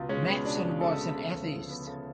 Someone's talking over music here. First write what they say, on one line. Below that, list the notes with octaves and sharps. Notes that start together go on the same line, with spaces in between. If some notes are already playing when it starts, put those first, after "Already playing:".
Matson was an atheist.
Already playing: C#2 B2 F4
G#3 C#4
B3
B2 D4
C#2
G#3 A4
B3
C#3
D2
F3
B3
C#3 A4